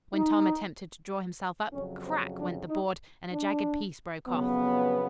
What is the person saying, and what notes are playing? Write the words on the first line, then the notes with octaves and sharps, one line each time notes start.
When Tom attempted to draw himself up, crack! went the board, and a jagged piece broke off.
D#4
F2 C#3 F#3 C#4
C4
D4
D#4
D4
F2 C#3 F#3 B3